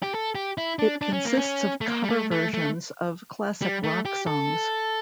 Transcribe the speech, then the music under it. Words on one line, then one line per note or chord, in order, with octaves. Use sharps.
It consists of cover versions of classic rock songs.
G4
A4
G4
E4
D4
D4
C#4
A#3
C#4
A3
A#3
G3
A3
A3
A3
G3
A3
G4
A4